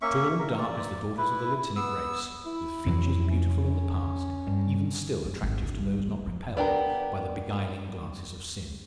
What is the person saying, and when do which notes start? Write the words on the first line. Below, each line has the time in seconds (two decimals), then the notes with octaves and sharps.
Tall and dark as the daughters of the Latinic race, with features beautiful in the past--even still attractive to those not repelled by the beguiling glances of sin.
0.02 A#3 C#4 E5 C#6
0.39 A#4
0.58 D5
1.18 E4 B4
1.76 B3 E6
2.46 E4
2.86 F2 E3 F#3
3.29 C#4
4.47 G2
5.26 F#2
5.43 G#1
5.63 D3
5.79 G3
6.07 A1
6.27 F3
6.57 B3 D4 G4 A#4